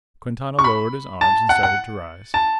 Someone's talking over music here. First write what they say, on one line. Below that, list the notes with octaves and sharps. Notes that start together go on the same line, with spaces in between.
Quintana lowered his arms and started to rise.
C#6
B5
A5
F#5
F#5
A5